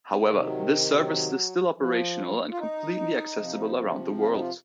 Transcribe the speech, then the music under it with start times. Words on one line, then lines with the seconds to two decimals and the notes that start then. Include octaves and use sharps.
However, the service is still operational and completely accessible around the world.
0.11 C4
0.17 C3 D#3 A#3
0.44 F#3
0.98 F#3
1.78 F3
2.52 F4
2.58 D#4
3.38 C3 F3
4.18 F4
4.29 D#4
4.40 F4